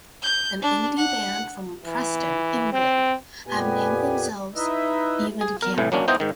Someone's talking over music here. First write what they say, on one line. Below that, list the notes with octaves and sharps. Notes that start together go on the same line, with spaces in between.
An Indie band from Preston, England have named themselves "Ivan Campo".
G6
D4
F#5
E3
C4
F2 A#2 B3 G4 B4 G#5
D#4 E4 B4 D#5 E5
G#4
A#4
C2 A2 E3
F#3 A#3 C#4 D4
B3 D#4 E4 C5 D#5 G5
G#2 D#3